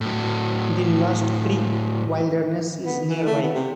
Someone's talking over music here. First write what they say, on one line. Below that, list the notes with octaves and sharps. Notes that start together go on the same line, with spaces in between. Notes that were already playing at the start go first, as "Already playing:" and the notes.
The Lusk Creek Wilderness is nearby.
A2 F#3
B3
E3
A3
B3
C3